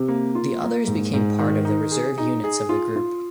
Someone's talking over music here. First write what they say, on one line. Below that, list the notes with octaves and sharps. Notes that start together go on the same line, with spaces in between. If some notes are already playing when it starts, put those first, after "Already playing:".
The others became part of the reserve units of the group.
Already playing: C3
A#3
F4
A#3
G#2
G#2
D#3
D#4
G#4
D#4
G#4
F4
F4